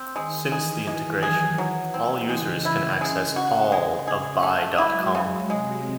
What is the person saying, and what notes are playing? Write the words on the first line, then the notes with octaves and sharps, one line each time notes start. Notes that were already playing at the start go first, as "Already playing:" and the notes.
Since the integration, all users can access all of buy dot com.
Already playing: C4
D#3 G#3
E3 G#4
F#3 G#3
G#4
E3 F#3
C4
C#3 G#3
E4
C#3 G#3
F#4
G#3
G#4
F#3 A3
G#3 E4
C#3 F#3
C3 G#3